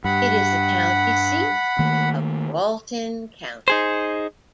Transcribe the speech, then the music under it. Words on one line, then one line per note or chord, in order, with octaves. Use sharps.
It is the county seat of Walton County.
G2 F#5 B5
D#3 A3 A#3
D#4 G#4 C5